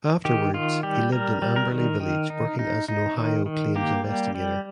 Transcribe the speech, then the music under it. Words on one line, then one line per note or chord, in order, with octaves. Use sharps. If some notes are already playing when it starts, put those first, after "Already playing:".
Afterwards he lived in Amberley village working as an Ohio claims investigator.
D#3 G4
D#3 F4
G3 G4
G3 A#4
G3
A#4
D#3
D#3
D#4
D#4
D#4
D#3
D#3
A#3 G4
G3
G3